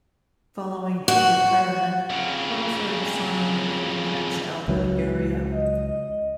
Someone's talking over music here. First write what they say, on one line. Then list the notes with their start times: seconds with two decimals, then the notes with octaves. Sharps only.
Following his retirement, Crawford farmed in the Prince Albert area.
1.08 F#4
2.10 F2 C#3
4.68 C#2 F#3
5.53 D#5